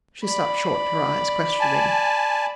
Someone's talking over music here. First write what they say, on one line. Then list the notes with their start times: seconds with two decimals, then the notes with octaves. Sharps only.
She stopped short, her eyes questioning.
0.24 D5 B5
1.60 G#5 A5